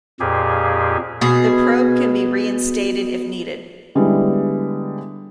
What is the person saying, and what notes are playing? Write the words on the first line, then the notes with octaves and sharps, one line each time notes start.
The probe can be reinstated if needed.
F2 A#2 G4 G#4
B2 G#4
D3 G3 G#3 B3 E4